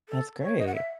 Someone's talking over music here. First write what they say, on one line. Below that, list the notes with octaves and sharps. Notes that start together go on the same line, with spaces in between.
That's great.
A4
C#5
D#5
F#5
E5